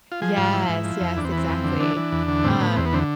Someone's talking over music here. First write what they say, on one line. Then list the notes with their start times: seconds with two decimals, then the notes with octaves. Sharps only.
Yes, yes, exactly. Um,
0.12 F4
0.22 F3 G#4
0.37 G#2 F4
0.53 F3 E4
0.69 G#2
0.85 F3
1.01 F2
1.16 E2 D4
1.24 C4
1.31 E3 B3
1.38 C4
1.48 F2
1.64 D3
1.80 E3 D4
1.96 E3
2.12 E2
2.28 D3
2.44 A2 C4
2.60 A2 B3
2.76 E2 C4
2.85 B3
2.93 D3 C4